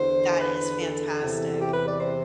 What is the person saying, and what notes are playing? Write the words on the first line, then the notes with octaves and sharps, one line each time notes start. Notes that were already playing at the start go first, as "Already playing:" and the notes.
That is fantastic.
Already playing: E2 D3 C5
B4
A4
E2 C3 E3
G4
B4
D5
C5